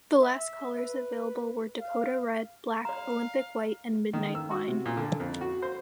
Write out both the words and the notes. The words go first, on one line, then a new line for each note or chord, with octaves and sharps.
The last colours available were Dakota Red, Black, Olympic White and Midnight Wine.
E5
B4
F5
D5 F5 A#5
D#3
E6
F#4
C3
A#2
D3
F2
F#4
C5